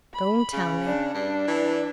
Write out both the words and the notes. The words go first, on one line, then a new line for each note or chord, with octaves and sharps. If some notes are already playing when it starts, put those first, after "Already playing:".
Don't tell me.
B5
C#3
D4
G2 D4
E3